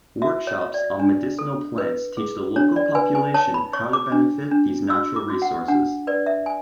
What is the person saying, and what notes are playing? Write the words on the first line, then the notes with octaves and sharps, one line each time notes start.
Workshops on medicinal plants teach the local population how to benefit these natural resources.
F#4 E5
C#5
C#5
D5
D4
A4
B4
G#4
D4 C#5
D5
B4 G#5
G#5
C#5 A5
B5
C#5 C#6
D6
D4
D4
F#4 E6
D6
F#4
F#5
D4 F#5
B4 D5
E5
G#5